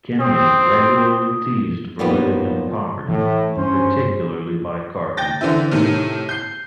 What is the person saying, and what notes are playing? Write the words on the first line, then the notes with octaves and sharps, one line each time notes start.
Kenny is regularly teased for living in poverty, particularly by Cartman.
C4 D#6
D#2 A#2 F3 G3 B3
A2 E3 A3
G2 C#4 C5
G5 G6 A6 A#6
D3 E3 C4 E4
A2 C3 D#3
G6 C7